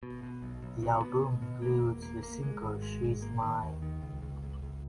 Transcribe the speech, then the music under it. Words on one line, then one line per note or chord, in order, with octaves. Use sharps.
The album includes the single "She’s Mine".
B2
B2
B1
B1
B2
B3
B2
B2
A#3
E1
A#3
A#3
G#3
G#1
G#3
G#1
A#3
D#3
D#2
D#3
C#2
C#2
C#2
C#2